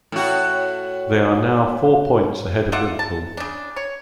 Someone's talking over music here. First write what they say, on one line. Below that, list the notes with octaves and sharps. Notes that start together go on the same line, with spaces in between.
They are now four points ahead of Liverpool.
A2 F#4
F4 D5 E5 F#5
A5
C#3 D4
C#5